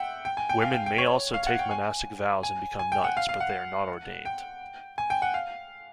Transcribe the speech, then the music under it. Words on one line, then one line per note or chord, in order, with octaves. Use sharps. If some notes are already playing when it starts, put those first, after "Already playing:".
Women may also take monastic vows and become nuns, but they are not ordained.
Already playing: E5 F#5 G5
G5
G#5
G5
F5
G5
G5
C#5
F5
F#5
G5
G#5
G#5
G#5
G5
F#5
F5
F5
F#5
G5
G#5
G5
F#5
F5